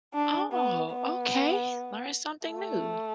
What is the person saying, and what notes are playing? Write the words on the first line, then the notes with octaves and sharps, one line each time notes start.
Oh, okay. Learned something new.
D4
B3
B3
A3